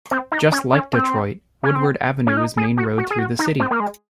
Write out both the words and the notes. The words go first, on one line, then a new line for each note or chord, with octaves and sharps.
Just like Detroit, Woodward Avenue is the main road through the city.
C4
D#4
C#4
C#4
C4
C#4
C4
C#4
D#4
G#4
F#4
F#4
G#4
F#4
D#4
C4
A#3
G#3